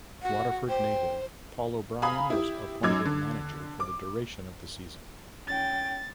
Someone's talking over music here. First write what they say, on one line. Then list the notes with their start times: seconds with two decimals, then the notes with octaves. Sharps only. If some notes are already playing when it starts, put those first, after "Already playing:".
Waterford native, Paul O'Brien was appointed manager for the duration of the season.
0.23 F#4 F#5
0.69 C5 G5
2.02 F5 G#5 A#5 B5 D#6
2.30 E4 G4
2.83 F#2 F#3 D#4 D6 E6 G#6
3.05 D3
3.80 D6
5.47 C#4 G5 A6